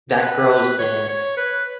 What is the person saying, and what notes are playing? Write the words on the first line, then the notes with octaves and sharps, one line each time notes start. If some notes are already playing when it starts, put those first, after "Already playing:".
that grows, then
B4
B4
C#5
C#5
B4